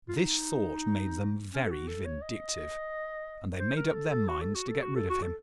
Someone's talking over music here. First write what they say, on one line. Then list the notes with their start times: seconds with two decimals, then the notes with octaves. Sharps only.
This thought made them very vindictive, and they made up their minds to get rid of him.
0.08 F4
0.17 D#4
1.53 C#4
1.65 A4
1.71 F#4
1.88 A4
2.05 C#5
2.22 D#5
3.59 C5
3.76 A#4
3.93 A4
4.10 A4
4.28 F#4
4.41 A4
4.55 F#4
4.68 A4
4.82 F#4
4.96 A4
5.09 F#4
5.22 A4